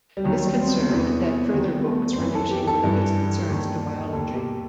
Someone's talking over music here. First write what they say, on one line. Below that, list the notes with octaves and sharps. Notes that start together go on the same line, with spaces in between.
This concern led further books relating religious concerns to biology.
G3
D#2 D#3 F#3
G3
C4
B3
E2 C3 E3
D#2 D#3 G3
B3
A3
C4
F#2 E3 B3
A4
G4
A4
G2 E3
D#2 D#3
D#2 D#3 A4
G4